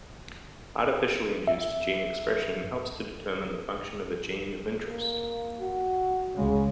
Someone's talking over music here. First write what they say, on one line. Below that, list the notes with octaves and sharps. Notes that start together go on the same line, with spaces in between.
Artificially induced gene expression helps to determine the function of a gene of interest.
E5
A#3
F#4
C#2 C#3 G#3